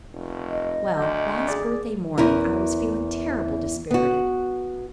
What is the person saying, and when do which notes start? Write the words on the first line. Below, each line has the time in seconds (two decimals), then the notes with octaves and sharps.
Well, last birthday morning I was feeling terrible disperrited.
0.13 F1
0.49 D#5
0.98 D2 G6
1.48 G#4 D5
2.18 E2 C#4 E4 A#4
3.91 B3 F#4